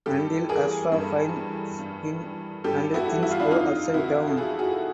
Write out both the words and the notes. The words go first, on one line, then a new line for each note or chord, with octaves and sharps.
Until Ashraf finds him and things go upside down.
G2 G4 A4
E3 G#4 A#4
G2
E3
G2
E3
G2 G4 A4
E4 F#4
E3
E4
F4
D4 E4
F2 D#4 F4
C3 E3 E4 F#4
A4
F2 F#4 G#4
F#4 G#4